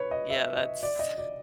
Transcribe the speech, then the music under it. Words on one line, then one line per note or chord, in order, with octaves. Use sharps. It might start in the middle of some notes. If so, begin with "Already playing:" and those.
Yeah, that's
Already playing: B4 C#5
D#5
E5
D#5
D5
D#5
D5